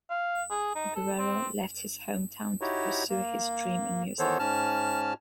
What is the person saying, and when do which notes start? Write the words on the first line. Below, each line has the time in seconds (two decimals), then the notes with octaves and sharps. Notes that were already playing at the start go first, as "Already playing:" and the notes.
Guerrero left his hometown to pursue his dream in music.
0.10 F5
0.51 G#4
0.75 D#4
0.96 A4
1.18 C4
2.61 D#4 E4 F#4 G4 C#5
3.09 A#3
4.19 D#3 E3 B3 A4 C5 C#5
4.39 G#2 C#4 A5 F6